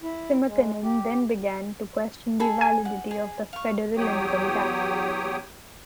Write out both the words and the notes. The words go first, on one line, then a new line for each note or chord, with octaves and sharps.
Simkanin then began to question the validity of the federal income tax.
E4
G#3
G4
G#4 A4 B5
G#5
F#5
G#4
F5 C#6
E2 F#3 G4 C#5 G5 D#6